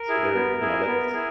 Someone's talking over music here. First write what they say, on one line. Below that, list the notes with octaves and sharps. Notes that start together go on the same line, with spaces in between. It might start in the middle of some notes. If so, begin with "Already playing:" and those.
So they're you know, that's
Already playing: A#4
E4 G#4
B3
E4 G#4
B3
E4 G#4